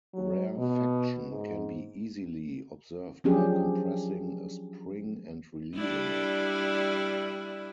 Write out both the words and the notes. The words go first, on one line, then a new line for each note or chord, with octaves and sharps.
Rarefaction can be easily observed by compressing a spring and releasing it.
F#3
B2
G#2
F3 F#3 C#4 D4 G4 G#4
G3 D4 E4